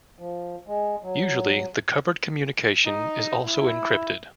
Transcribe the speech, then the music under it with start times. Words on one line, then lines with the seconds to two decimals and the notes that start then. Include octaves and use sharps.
Usually, the covered communication is also encrypted.
0.19 F3
0.67 G#3
1.03 F#3
2.84 D#4
3.43 E4